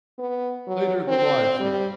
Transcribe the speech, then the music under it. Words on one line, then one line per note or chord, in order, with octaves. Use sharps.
Later the wives met.
B3
F#3
C4
G3